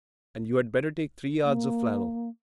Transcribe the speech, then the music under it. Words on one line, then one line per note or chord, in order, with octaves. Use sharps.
And you had better take three yards of flannel.
A#3